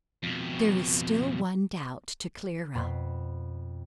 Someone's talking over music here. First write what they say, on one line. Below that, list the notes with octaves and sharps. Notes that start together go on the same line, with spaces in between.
There is still one doubt to clear up.
F2 B2
F2 B2 B5 C7